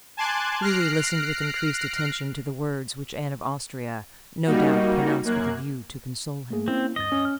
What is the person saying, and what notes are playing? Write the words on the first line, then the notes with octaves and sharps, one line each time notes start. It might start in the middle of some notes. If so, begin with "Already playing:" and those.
Louis listened with increased attention to the words which Anne of Austria, no doubt, pronounced with a view to console him.
G#5 A5 C6 D6 F#6 G#6
F6 F#6 A#6 C7 D7
G3 A#3 D#4 F#4
F#2 A#3 F#6 G#6
A3 A#3 G#4
A#3 C4 C#4 E4
D2 G2 D#5 A6
C#4
F6